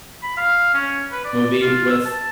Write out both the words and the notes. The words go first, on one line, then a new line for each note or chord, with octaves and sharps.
movie with,
B5
F5
C#4
B4
D5
F4
E6
A5